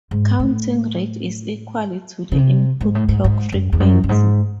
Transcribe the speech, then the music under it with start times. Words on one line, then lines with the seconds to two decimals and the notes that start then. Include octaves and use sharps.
Counting rate is equal to the input clock frequency.
0.11 G#2
0.39 A2
2.32 C#3
2.38 C3
2.81 G#2
2.95 A2
3.09 G#2
3.24 G#2
3.52 F#2
3.72 E2
3.80 F#2
4.04 F#2
4.09 G#2